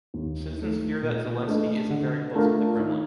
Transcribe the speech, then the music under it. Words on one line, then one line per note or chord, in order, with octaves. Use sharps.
Citizens fear that Zelensky isn’t very close to the Kremlin.
D#2
D#3 A3
A#2
A3 D4 A4 D#5
D3
A3 D4 F4 A#4
D#3